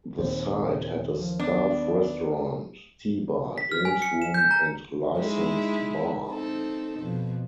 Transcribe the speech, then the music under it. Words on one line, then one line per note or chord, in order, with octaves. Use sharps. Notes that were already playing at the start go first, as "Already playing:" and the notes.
The site had a staff restaurant, tea bar, games room and licensed bar.
D#2 A#2 A#3 C4 C5
F3
B3 D4 D#5 D6
B6
F6
G#5
C#7
E7
G6
A#5
G#3 D#4 E4
C4 D#4 A4
F2 B2